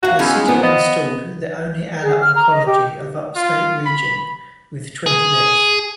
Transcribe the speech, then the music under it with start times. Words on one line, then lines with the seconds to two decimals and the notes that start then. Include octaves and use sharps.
The city installed the only Ala Oncology of upstate region, with twenty beds.
0.03 D#2 F#4 F5
0.19 E2 C#4 D#4 G#4
0.35 G#3
0.48 A#2 F3 B3
0.63 B3 D#5
2.04 G#4
2.20 F6
2.35 A#5
2.50 D#5
2.66 G4
3.36 F4
3.86 B5
5.06 G#4